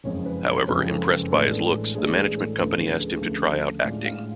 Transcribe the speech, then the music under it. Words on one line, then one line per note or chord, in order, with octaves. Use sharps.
However, impressed by his looks, the management company asked him to try out acting.
F#1 F2 C#3 G#3 C#5
B4
C#5
F#1 F2 C#3 G#3 B4
A4
A1 A2 G#3 B3 D4 A4
A1 A2 G#3 B3 D4 G#4
G#4
A4
D2 C#3 F3 A3 B4
B4
G#4
D2 C#3 F3 A3
A2 G#3 D4 F4 D5
F5